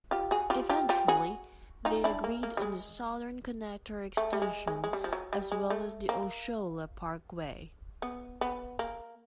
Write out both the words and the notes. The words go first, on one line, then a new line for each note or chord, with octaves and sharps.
Eventually, they agreed on the Southern Connector Extension, as well as the Osceola Parkway.
F4 G4
F#4 G#4
F4 G4
F4 G4
F4 G4
F#4 G#4
D#4 F4
D4 E4
A#3
A#3
G3
G#3
A3
G3
G#3
G#3
G#3
G3
F3
F#3
G3
G#3
A3
A#3
B3
B3
A#3